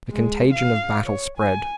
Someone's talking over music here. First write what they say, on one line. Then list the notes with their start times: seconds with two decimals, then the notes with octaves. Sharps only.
The contagion of battle spread.
0.11 G#3
0.53 F5
1.04 C#5
1.37 G#5